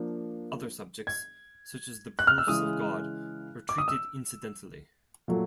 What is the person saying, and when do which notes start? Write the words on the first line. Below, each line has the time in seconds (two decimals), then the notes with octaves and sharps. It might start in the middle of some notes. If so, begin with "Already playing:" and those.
Other subjects, such as the proofs of God, are treated incidentally.
Already playing: F3 A#3 D4
1.07 G#6
2.19 F#6
2.27 F6
2.38 E6
2.47 C#3 E3 G#3 D#6
3.69 D6
3.78 D#6
3.88 E6
5.28 A#2 F#3 A3